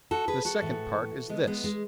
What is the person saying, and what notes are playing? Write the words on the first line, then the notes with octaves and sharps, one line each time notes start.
The second part is this.
F#4 A4
G#4 B4
F#4 A4
A2 E3
G#3 B3
G#3 B3
G#3